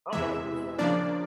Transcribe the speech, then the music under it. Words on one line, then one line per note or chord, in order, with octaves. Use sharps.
I'm a Lakers fan.
E2 C3 E3 G#3 E5
C#3 F3 A#3 D4 D5